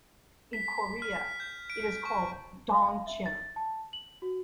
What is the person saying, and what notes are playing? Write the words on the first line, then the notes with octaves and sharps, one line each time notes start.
In Korea, it is called ttongchim.
B6
F6
G6
D7
C#6
F5
F5
E5
A6
A5
F#7
F#4